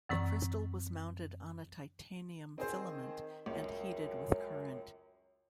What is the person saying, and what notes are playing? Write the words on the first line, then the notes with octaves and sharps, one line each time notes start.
The crystal was mounted on a titanium filament and heated with current.
F#2 E3 C4 C#6
D#3 C4 G#4 C5
C#2 F#2